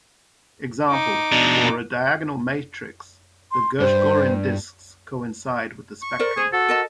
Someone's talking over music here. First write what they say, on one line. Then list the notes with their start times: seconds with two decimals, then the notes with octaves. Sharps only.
Example For a diagonal matrix, the Gershgorin discs coincide with the spectrum.
0.91 D#4 D6
1.32 B2 D4
3.52 C6
3.80 G2 C5
6.02 C#6
6.19 A#4 C5 D5
6.37 G#4 C5
6.53 F#4 A4
6.68 A#4 D#5 A5